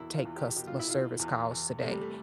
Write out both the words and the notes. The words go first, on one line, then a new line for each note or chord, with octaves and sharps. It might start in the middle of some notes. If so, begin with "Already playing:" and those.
take customer service calls today,
Already playing: E2 B2 E4
F4
E2
G4
B2 G4
F4
E4
B2 F4
E2
E2
C3 A3
G3
A3